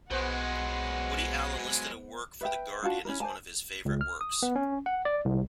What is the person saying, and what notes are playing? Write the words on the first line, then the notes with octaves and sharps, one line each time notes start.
Woody Allen listed a work for The Guardian as one of his favorite works.
B1 F#3 G#3 B3 B4 C5 F#5
B4 E5 G5
D4 F4 F#4 A5
C#4 E4 A#4
C5 D5 G#5 A5
C#2
F6
D#6
B3
C#4
F#5
D5
C2